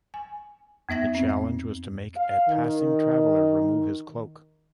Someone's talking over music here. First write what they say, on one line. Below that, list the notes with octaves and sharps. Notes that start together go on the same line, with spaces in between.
The challenge was to make a passing traveler remove his cloak.
G#5
F2 B3 E5 A#6
C4
F5
D#3